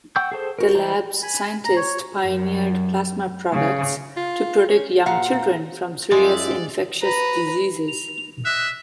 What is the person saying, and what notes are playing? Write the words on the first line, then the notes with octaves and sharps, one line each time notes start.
The lab's scientists pioneered plasma products to protect young children from serious infectious diseases.
F#5 G5 C#6 E6 G6
G#4 A4 C5
F#4 A#4
E3 G#3 C5 A#5
G#5 B5
A#5
C#5
F#2
C#3
F4
C#4
A#2 F5 F#5 A#5
F#2 G#3 F4 D5 E5
B4 A#5
F7
D#5 E5 F#6